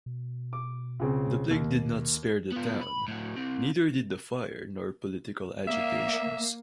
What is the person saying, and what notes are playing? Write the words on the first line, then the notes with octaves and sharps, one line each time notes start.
The plague did not spare the town, neither did the fire nor political agitations.
B2
D6
C#2 C#3 C4
D#2
B3 F4
B5
A2 F#4
G3 C4
A#3 E5